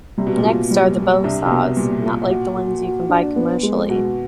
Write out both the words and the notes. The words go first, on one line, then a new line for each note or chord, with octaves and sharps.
Next are the bow saws, not like the ones you can buy commercially.
C3 G3
B2
A#2
B2 F4
G3
G3
C2 C3 D4
C3
B2 B3
A#2 G3
F4
F#4
F#4
F#4
D4
B3
G#3
B2 F#4